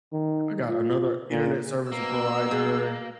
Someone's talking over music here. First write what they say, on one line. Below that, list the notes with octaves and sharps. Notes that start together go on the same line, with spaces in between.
I got another internet service provider
D#3
F4
A#2
B2 A#3 E6
G#4